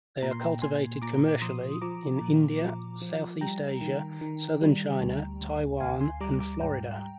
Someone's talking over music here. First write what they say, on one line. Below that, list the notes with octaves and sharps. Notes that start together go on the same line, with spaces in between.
They are cultivated commercially in India, Southeast Asia, southern China, Taiwan, and Florida.
A#2 A#5
C6
G5 A#5
A#2 G#5 C6
A#2 A#5 D6
F3 C6 D#6
F3 A#5 D6
A#2
F3
F3
G3 G5 A#5
D#3
D#3
G3
D2
D2
D2 F5 G#5
G#5 C6
G3 A#5 D6
A#5 D6
G#2 G5 A#5